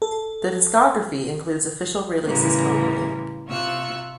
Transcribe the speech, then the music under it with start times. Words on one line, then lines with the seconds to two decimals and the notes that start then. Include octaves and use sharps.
The discography includes official releases only.
0.02 A4
2.25 A2 C#3 E3 G3 G#3 A#3
3.48 C3 F4 C#6 E6 F#6